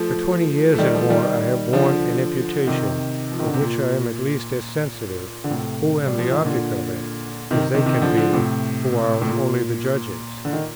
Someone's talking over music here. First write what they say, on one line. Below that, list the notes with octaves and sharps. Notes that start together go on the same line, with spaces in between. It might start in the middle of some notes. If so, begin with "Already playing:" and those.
For twenty years and more I have borne an imputation, of which I am at least as sensitive, who am the object of it, as they can be, who are only the judges.
Already playing: F3 A3
A3
D#3 G3
F3 A3
D#3 G3
D3 F3
C3 D#3
F3
D#3
D3
C3
A#2
D3
A2 C3
G3
F3
D#3
A#2 D3
C3 D#3
C3 D#3
C3 D#3
D3 F3
D3 F3
A2 C3
A2
A#2
D3
D#3